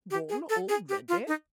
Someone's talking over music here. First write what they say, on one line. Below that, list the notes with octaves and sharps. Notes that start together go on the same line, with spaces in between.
"Gone already?"
G4
G#4
A4
G#4
G4
F4
D#4